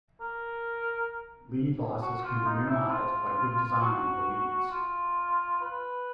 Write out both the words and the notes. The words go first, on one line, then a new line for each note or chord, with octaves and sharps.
Lead losses can be minimized by good design of the leads.
A#4
F#4
F4
D#4
E4
F4
F#4
F4
B4